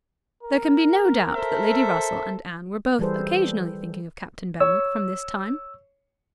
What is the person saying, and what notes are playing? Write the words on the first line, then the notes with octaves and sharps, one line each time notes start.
There can be no doubt that Lady Russell and Anne were both occasionally thinking of Captain Benwick, from this time.
A#4
A4 C5 E5
E3 G3 G#4 A4 B4 C5
C#5 E6